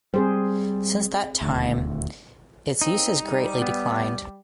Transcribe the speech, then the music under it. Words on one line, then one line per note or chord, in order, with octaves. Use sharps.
Since that time, its use has greatly declined.
G3 C4 G#4 C5
D#1 D2
A#3 C4 C#4 D#4
G3
B3